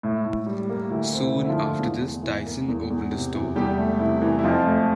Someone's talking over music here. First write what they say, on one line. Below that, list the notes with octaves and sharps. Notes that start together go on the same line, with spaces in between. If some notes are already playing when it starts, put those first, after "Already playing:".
Soon after this, Tyson opened a store.
A2 E4
A2
G3
A#3
D2 E4
C4
E4
D3
E4
F3 F4
A3
E2
E2
E3
A#3
E2
E2
C3
E3
E2 G3 G4
A3
C3 E4
E3
E4
F2 F3 F4
A3